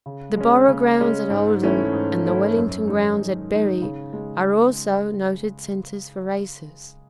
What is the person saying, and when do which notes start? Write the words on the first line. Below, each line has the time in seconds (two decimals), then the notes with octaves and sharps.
The Borough grounds at Oldham and the Wellington grounds at Bury are also noted centres for races.
0.06 C#3
0.36 G#3 C#4
0.68 C#3
1.00 G#3 C#4
1.30 G#2
1.62 E3 A3 C#4 E4
1.93 G#2
2.24 E3 A3 C#4 E4
2.56 F#2
2.87 D#3 G#3 D#4
3.19 F#2
3.50 D#3 G#3 D#4
3.82 C#3
4.13 G#3